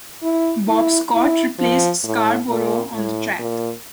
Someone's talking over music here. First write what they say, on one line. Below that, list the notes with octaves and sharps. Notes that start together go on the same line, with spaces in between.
Bob Scott replaced Scarborough on the track.
E4
E4
E4
F3
A2
A#2
A2
A#2